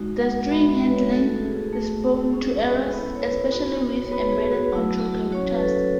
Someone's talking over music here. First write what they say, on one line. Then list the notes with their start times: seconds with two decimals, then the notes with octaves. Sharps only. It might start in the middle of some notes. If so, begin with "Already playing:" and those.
The string handling is prone to errors, especially with embedded control characters.
Already playing: G#3 D#4 F#4
0.20 F#5
0.51 G#3 B3 F#4 E5
0.71 E5
0.85 B4
0.91 C#5
1.11 A3 D#4 F#4 A4
1.41 G#4
1.62 G#4
1.71 A3 D#4 F#4
1.91 G#4
2.12 F#4
2.31 G#3 C#4 F#4 G#4
2.52 F#4
2.81 B4
2.91 B3 E4 A4
3.15 C#5
3.22 B4
3.52 B3 D#4 F#4
4.06 C#5
4.11 B3 D#4 F#4 B4
4.32 G#4
4.51 F#4
4.72 F#3 A3 E4 F#4
4.92 F#4
5.12 F#4
5.32 F#3 C#4 F#4 C#5
5.52 B4
5.62 A4